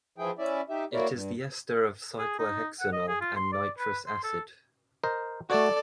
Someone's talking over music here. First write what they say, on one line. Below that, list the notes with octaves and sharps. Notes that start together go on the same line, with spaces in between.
It is the ester of cyclohexanol and nitrous acid.
E3 F3 E4 G#4 G5
C#4 E4 D5 E5
D#4 G4 E5
A#3 E4 F#4 A#4 C#5 D5
G2
G#4
D#4
F#5
D#5
G#4
F4
C6
D5
B4
C6
A4
A#4 C5 D#5
A3 F#4 A4 D5